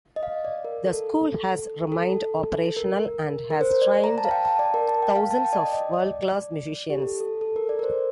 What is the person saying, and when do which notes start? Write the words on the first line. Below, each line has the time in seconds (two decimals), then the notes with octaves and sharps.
The school has remained operational and has trained thousands of world class musicians.
0.16 D#5
0.23 F5
0.45 D5
0.65 A#4
0.86 A4
1.92 A4
2.77 A#4
3.50 A#4
3.61 C5
3.82 D5
4.04 A#5
4.18 A5
4.25 F5
4.31 G5
4.45 A5
4.59 D5
4.74 A#4
4.88 A5
5.03 G5
5.16 F5
5.31 A5
5.45 G5
5.53 D5
5.58 D#5
5.73 D#5
5.94 D5
6.90 G4
7.00 A4
7.20 A4
7.41 A4
7.56 A#4
7.69 D5
7.79 A#4
7.83 C5